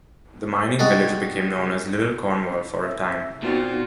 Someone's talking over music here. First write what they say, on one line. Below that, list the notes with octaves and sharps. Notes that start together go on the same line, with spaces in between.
The mining village became known as "Little Cornwall" for a time.
G3 G#3 D#4 F#4 A4
E5
A#2 B3 C4 D#4 F4 F#4